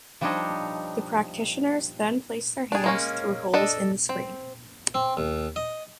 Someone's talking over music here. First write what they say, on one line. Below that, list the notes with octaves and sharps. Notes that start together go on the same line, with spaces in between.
The practitioners then placed their hands through holes in the screen.
F3 G3 D4 D#4 C#5 D#5
D4 G#4
G#3 A#3 C#4
D4 A4 D#5
C4
C4
D#2
D#5